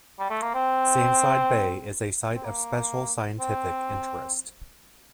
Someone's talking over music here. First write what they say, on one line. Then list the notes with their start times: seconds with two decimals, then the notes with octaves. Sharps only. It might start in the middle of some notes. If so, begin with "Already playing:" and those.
Sandside Bay is a Site of Special Scientific Interest.
0.19 G3
0.30 A3
0.42 A#3
0.54 C4
2.35 C4
2.45 A#3
3.39 C4